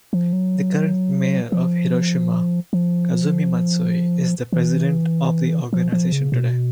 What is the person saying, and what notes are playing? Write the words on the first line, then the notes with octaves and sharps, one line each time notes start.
The current mayor of Hiroshima, Kazumi Matsui, is the President of the organization today.
F3
F#3
F3
F3
E3
F3
F3
C#3
B2